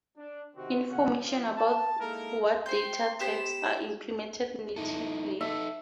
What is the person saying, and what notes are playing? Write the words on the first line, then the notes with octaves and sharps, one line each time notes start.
Information about what data types are implemented natively.
D4
C3 D#3 C4 F#4
A#2 C#3 C#4 F#4 F#5
F3
A5
G#3 A#3 D#4 E4 A4 A#4
C5 G5 C6
B3 G4 C5 E7
D#4 E4 A4
D#4 A4 E5